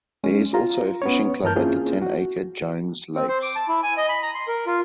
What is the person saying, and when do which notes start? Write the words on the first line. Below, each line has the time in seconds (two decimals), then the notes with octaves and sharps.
There is also a fishing club at the ten acre Jones Lakes.
0.24 G#3 C#4
0.54 F4 A#5
1.02 B3 C#4 C#5
1.43 G2 E3 A#4 A5 F6 G6
1.56 A#3 C4 C#4 E4 F4 G#4
2.02 F#4
3.15 C4
3.29 C5
3.43 D6
3.56 A5
3.68 E4
3.83 G#5
3.97 D#5
4.09 B5
4.23 A#5
4.35 C6
4.48 A#4
4.67 F4